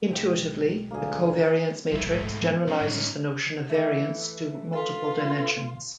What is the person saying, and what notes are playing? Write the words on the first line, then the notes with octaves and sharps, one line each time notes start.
Intuitively, the covariance matrix generalizes the notion of variance to multiple dimensions.
B1 G#3 G4
D2 A#3 G#4
D1 A#1 F3 G3 E4
G#2 A3
F3 B3
C#4 D#4
A2 G3
E3 A3
F4 A4 B4